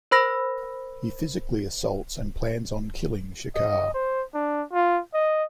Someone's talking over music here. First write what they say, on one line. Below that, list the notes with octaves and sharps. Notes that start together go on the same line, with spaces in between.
He physically assaults and plans on killing Shekar.
A#4 C5 B5 E6 A#6
D#5
C5
D4
F4
D#5